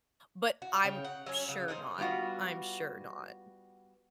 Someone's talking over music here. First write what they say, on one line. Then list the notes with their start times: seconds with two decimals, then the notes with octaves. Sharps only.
but I'm sure not. I'm sure not.
0.62 F#4
0.84 C#3 C#5 G5
1.04 F#5
1.26 F#3 C#4 C#5
1.48 C#3 F#3
1.68 D#4 G#4 A4 C5
1.98 G3 B3 F4 F#4